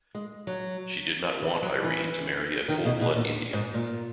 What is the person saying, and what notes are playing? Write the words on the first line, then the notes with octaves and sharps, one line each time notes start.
She did not want Irene to marry a full-blood Indian.
G#3
F#3
E3
F#3
E3
D#3
B2
B2
A#2
G#2
A#2